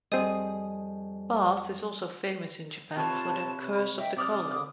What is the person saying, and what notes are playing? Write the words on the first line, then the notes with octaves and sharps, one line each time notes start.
Bass is also famous in Japan for the "Curse of the Colonel".
F2 G3 C4 G#4 D#5 D#6
C3 F4 B4 C#5 A5
B5
D#5 E5 G5
C3 D5 D6 D#6 F6